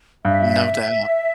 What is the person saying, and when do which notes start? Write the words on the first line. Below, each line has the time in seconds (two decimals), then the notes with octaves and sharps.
No doubt.
0.24 G2 E5